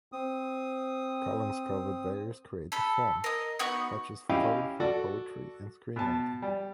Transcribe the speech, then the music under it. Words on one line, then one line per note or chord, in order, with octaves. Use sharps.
Columns covered various creative forms, such as photography, poetry, and screenwriting.
C4 D#6
A4 B5
A#4 D#5
B3 D#4 F#4 C#6
C#4 E4 G4 D#5 F5 G5
F#4 A4 D5
B2 A5
G3